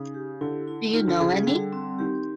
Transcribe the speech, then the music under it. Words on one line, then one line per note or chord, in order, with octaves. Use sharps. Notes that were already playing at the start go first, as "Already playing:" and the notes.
Do you know any?
Already playing: C#3 D#4
G4
D3 E4
E4
D#3 F4
D3
C#3 G#4
C#3
D3 G3
C4
D#3 G4